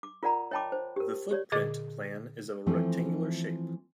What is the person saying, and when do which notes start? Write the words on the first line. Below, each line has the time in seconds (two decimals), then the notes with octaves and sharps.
The footprint plan is of a rectangular shape.
0.03 D6
0.23 F4 A#4 D5 F#5 A#5 B5
0.51 C#5 D#5 G5 A5 B5 D6
0.72 C5
0.96 G4 A#4
1.31 G4 C#5 D5
1.52 A#2 D3 G#4 D#5 D6 A6
2.66 E3 F3 A3 C4